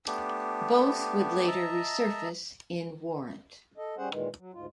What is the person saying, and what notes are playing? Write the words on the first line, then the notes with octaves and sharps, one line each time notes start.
Both would later resurface in Warrant.
A3 B3 D4 G4
D#5 E5 A5 A#5
A4 D#5
G3 C#4 G#4 C5 F#5
A#2 D#3 E3 G#3
F#3
D2 G#2 F4